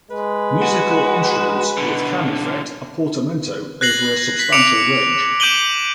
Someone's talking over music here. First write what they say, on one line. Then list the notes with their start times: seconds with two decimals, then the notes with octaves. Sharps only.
Musical instruments with can effect a portamento over a substantial range.
0.11 G#3 B4
0.62 F#4
1.77 B2 D3
3.81 F#6 G#6 A#6 C7 F#7
4.39 B6
4.52 D6 C#7 D7 F7
5.40 D6 G6 D7 D#7 F#7 G7